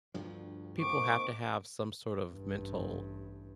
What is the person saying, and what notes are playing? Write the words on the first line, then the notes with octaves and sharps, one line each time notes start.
people have to have some sort of mental
D2 G2 F3
G#2 A#3 C4 C#6 D6
A1 G2